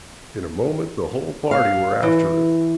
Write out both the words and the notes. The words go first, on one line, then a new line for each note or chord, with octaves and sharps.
In a moment the whole party were after him.
F5
E3